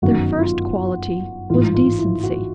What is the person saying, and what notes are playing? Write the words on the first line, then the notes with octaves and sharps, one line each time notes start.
Their first quality was decency.
G1 F#2 D#3 F#4
F4
A1 G#2 E3 F4
F4
E4
F#4